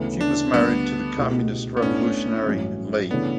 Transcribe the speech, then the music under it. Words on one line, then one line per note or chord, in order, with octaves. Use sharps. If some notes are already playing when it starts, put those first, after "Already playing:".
She was married to the communist revolutionary Late.
Already playing: D2 C#3 E3 B3
D4
D2 D3 G3 B3
C#2 B2 A3 E4 G4
B3
A1 A2 E3 A3 C#4 D4
A1 G2 F#3 C#4
C#3 E3 A3 B3 D4